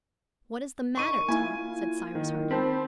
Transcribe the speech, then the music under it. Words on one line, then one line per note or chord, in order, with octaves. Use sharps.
"What is the matter, Top?" said Cyrus Harding.
D#4 A#4 C#6 D#7
A#3 E4 F4 G#5
D#3
C4 C5 A5 B5